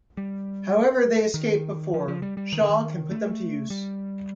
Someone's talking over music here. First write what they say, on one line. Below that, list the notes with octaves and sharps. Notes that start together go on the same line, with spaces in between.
However, they escape before Shaw can put them to use.
G3
D#3
F3
F3
G3
G3
D#3
D3
D#3
A3
G3